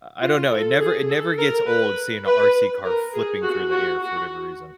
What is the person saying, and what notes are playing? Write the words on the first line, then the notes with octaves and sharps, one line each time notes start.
I don't know, it never it never gets old seeing a RC car flipping through the air, for whatever reason.
F4
A4
G#4
A4
A#4
B4
B4
A#4
G#4
F#4
F#4
F#4